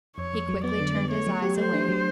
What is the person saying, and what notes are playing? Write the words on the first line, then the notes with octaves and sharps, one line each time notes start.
He quickly turned his eyes away.
F2 C#5
F2
F#3
B3 D5
D3
B3
A3 C#5
F#3
G4
A3 C5
D4
F#3